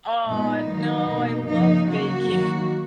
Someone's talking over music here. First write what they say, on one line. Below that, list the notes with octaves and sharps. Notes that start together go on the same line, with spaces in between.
Aw, no, I love baking.
A#2 G#3 B3 D#4
D#3 F#3 A#3
B2 A#3
C#3 F3 A#3 D#4
C#3 F#3 A#3 F#4
D#3 F#3 A#3